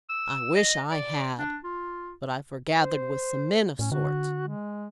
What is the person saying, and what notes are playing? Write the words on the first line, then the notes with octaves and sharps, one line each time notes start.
'I wish I had; but I forgathered with some men of sorts.
E6
D#5
D5
D4
F4
C5
A2 C#4
D3 F#4
G#3